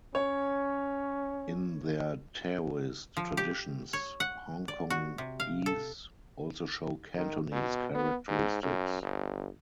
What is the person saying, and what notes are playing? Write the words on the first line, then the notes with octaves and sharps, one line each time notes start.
In their Taoist traditions, Hongkongese also show Cantonese characteristics.
C#4 C#5
F3
G4
C#5
F#5
D5
F#4
C3
F5
A4
D#3
B2
B3
G#2
F#2
G1